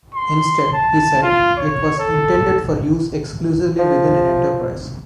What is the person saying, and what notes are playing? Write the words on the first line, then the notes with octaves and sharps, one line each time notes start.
Instead, he said, it was intended for use exclusively within an enterprise.
C6
A5
F4
C#5
A4
F3